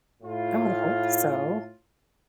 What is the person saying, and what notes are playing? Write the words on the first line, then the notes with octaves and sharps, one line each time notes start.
I would hope so.
A2 F4